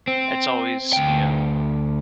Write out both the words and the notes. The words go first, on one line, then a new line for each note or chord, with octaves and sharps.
it's always, you know,
C4
D2 G5